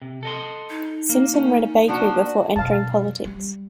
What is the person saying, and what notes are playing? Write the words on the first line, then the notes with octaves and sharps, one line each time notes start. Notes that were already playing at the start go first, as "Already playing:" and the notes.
Simpson ran a bakery before entering politics.
C3
A4 D#5 C6
D#4
A#3
C#4
F3 A#3 D4 F#4
F#2 B2 F5 A5
G3